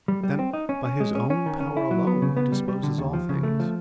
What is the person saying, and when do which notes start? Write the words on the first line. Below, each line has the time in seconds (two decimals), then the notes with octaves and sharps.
'Then, by His own power alone He disposes all things.'
0.08 G3
0.23 G3
0.39 C4
0.53 D#4
0.69 C#4
0.85 C#4
1.00 G#3
1.15 C#4
1.30 C#4
1.46 D#3
1.60 C#4
1.77 E4
1.91 F#3
2.07 B3
2.22 C#3
2.37 B3
2.52 G3
2.68 G3
2.83 D3
2.98 D#2
3.13 F3
3.29 C#3
3.43 A3
3.60 F3